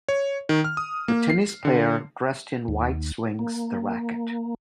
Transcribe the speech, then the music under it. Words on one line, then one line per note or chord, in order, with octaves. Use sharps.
The tennis player dressed in white swings the racket.
C#5
D#3
F6
D#6
A#3
C7
D3
D#2
A#3